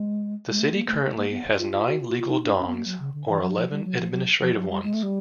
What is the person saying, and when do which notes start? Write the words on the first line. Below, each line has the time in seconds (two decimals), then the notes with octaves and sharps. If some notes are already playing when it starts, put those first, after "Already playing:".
The city currently has nine legal dongs, or eleven administrative ones.
Already playing: G#3
0.51 G#3
0.60 A3
0.74 A#3
0.88 A3
1.16 A#3
1.31 B3
1.59 F4
1.73 F4
1.87 F#4
2.01 F4
2.10 F#4
2.19 F4
2.29 D#4
2.43 D4
2.58 C#4
2.67 B3
2.77 A#3
2.86 F#3
3.00 C#3
3.14 D3
3.29 E3
3.42 F#3
3.56 F3
3.71 G3
3.85 F#3
3.99 F3
4.13 F#3
4.41 F3
4.56 F#3
4.70 G3
4.84 G#3
4.94 A3
5.03 G3